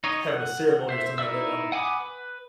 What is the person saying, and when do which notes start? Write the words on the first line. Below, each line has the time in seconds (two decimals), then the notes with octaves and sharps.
t having a ceremony or something like that, I'm
0.04 D#4 C#5 D#5
0.27 F#5
0.89 C5 E5
1.18 D#4 E4 D5 E5 E6
1.72 F#5 G#5 B5 D6 D#6
2.00 B4